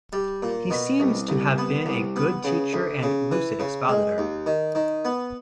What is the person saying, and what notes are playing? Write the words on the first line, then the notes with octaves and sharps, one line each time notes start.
He seems to have been a good teacher and lucid expositor.
G3
A#2
B2
C2
C2
B3
C2
B3
C#3
D2
C#3
E3
C#3
G#3
D#2
D#3
D#3
B3